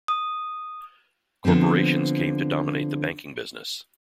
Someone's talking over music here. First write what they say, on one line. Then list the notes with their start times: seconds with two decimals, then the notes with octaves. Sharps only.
Corporations came to dominate the banking business.
0.08 D#6
1.45 D3 F3 B3 C4